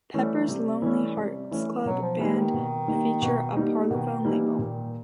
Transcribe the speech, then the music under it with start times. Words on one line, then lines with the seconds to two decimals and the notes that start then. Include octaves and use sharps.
Pepper's Lonely Hearts Club Band feature a Parlophone label.
0.14 E3 G3 A3 C#4
0.38 F#3
0.48 C3 G3
0.82 E3 A3 C#4
1.17 C3
1.51 E3 A3 C#4
1.85 B2 F#3
2.02 F3
2.19 E3 G3 A#3 D#4
2.37 D#3
2.54 B2
2.88 G3 A#3 D#4
3.22 B2
3.56 G3 A#3 D#4
3.90 B2 D#3
4.24 E3 G3 A#3 D#4
4.47 E3
4.58 A#2 D#3